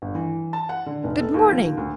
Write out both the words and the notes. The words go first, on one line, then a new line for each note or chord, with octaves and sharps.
'Good morning!
G1
E3
A5
F#5
D3
F1
A4
D#2
F3
D#2
D2